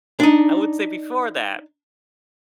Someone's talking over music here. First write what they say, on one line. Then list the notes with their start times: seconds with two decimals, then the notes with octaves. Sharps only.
I would say before that,
0.20 D4 D#4